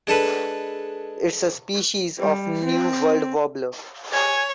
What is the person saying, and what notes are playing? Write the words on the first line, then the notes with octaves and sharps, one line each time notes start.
It is a species of New World warbler.
G#3 D4 A4 B4
G3
C4
C#5 G#5